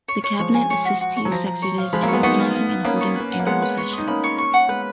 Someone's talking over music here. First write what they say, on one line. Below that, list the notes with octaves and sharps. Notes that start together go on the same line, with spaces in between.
The Cabinet assists the Executive in organizing and holding the Annual Session.
C#5
C#5
F3 G#3 C#5
G#5
C#5
F#4
F#4
C#5
F#3
F3 A#5
A#5
C#5
F5
F3 G#3 B5
F#3 A#3
C#5
G#3 B3
B3 D#4 C#5
F5
F5
F5
A#3 C#4 B5
C#5
B4
F#5
A#3
G#3 B3 F#5
B4
C#5
D#4 D#6
A#3 C#4 B5
C#5
C#6
F#5
G#3 B3 B4